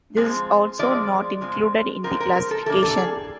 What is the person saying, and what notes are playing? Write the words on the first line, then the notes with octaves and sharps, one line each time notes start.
This is also not included in the classification.
F3 G#3 C4
F3 G#3 C4 D5
F3 G#3 C4
F3 G#3 C4 A#4
A#4
A#4
A4
E3 G3 A#3 D4 A4
A4
G#4